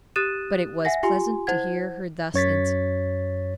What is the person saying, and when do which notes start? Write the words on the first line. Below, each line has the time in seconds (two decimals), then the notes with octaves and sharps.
But it was pleasant to hear her thus answer.
0.16 G4 D#6 F#6 A6 D#7 E7
0.85 E5 F#5 G#5 A#6
1.03 F4 G4 G#5 C6
1.47 E4 C5 F#5 G#6
2.34 F#2 C#5 A6 B6